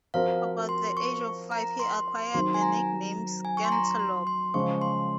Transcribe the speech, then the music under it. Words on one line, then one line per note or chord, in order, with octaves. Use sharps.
At about the age of five he acquired the nickname "scantelope".
F3 C4 F#4 A#4 F5
C6
C#6
A#5
C6
D#3 F#3 C4 C6
G#5
A#5
G#5
C#6
C6
A#5
C6
C6
C#3 F3 G#3 C#6
C6